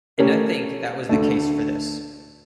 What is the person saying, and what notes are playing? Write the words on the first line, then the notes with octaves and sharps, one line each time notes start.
And I think that was the case for this.
A3 C#4 G4 A#4
D2 D3 A3